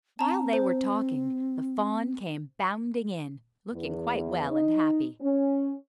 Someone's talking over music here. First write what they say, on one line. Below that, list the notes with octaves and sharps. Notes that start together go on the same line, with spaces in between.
While they were talking, the fawn came bounding in, looking quite well and happy.
C4 A5 A#5
C5
E2
D#4
C#4